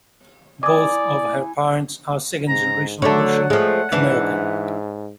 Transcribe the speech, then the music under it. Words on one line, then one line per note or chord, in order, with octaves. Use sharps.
Both of her parents are second-generation Russian American.
E4 D5 G#5 D6 D#6
G#2 A#5
D3 F#3 A3 C#5 D5 F#5 A5
F3 G#3 A3
G#2 E3 D4